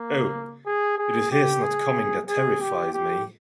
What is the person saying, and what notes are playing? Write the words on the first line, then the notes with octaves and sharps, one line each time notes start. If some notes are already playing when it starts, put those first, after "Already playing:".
Oh, it is his not coming that terrifies me.
Already playing: A#3
G#4
G#4
G4
G#4
G#4
G4
G4